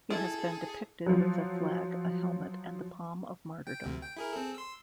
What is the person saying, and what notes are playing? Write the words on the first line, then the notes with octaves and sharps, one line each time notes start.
He has been depicted with a flag, a helmet and the palm of martyrdom.
E4 G#4 A4
F3 F#3
G5
D2 C3
G5
E4 G#4 A#4
C4 G#4 A4
C6 E6